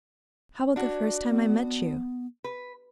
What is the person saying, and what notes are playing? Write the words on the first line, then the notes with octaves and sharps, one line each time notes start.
How about the first time I met you?
D4 F#4
B3
B4